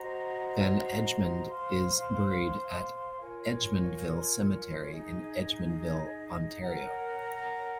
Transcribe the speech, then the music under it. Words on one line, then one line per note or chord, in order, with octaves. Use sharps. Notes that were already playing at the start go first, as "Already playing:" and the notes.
Van Edgmond is buried at Egmondville Cemetery in Egmondville, Ontario.
Already playing: F#4 C5 D#5 A#5
C5 F5 C6
F4 A#4 C#5 G#5
D#4 G#4 D#5
A#4 C#5 F#5 A#5